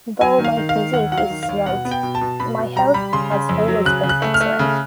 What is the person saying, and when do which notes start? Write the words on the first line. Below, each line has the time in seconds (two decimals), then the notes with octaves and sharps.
Though my physique is slight, my health has always been excellent.
0.21 F#3 G#5
0.38 D#3
0.45 F5
0.57 D#3
0.69 F5
0.76 D#3
0.93 D#2 F#5
1.12 F#3 F#5
1.18 F5
1.30 D#3
1.43 F5
1.49 D#2
1.66 B2 F#5
1.85 B3
1.91 G5
2.03 B2
2.15 A5
2.21 B2
2.40 B2 B5
2.58 B2
2.76 G3 A#5
2.94 G3 B5
3.13 C#3 C6
3.31 C#3
3.49 F2
3.68 F#3
3.85 C#3 F#6
4.03 C#3
4.09 F#6
4.22 A3
4.34 F6
4.41 A3
4.59 C#3